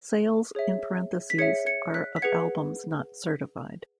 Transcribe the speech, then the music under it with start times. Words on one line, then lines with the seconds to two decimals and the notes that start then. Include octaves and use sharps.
Sales in parentheses are of albums not certified.
0.55 G#4 C#5 E5
1.30 B6
1.38 G#4 C#5 E5 G#6 C#7
1.66 G#6 C#7
1.94 F#6 B6
2.16 B6
2.22 G#4 B4 F#5 G#6 C#7